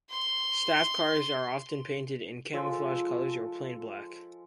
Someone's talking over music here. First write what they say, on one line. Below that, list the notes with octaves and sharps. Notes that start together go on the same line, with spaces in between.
Staff cars are often painted in camouflage colours, or plain black.
C6
F3 G#3 A4 E6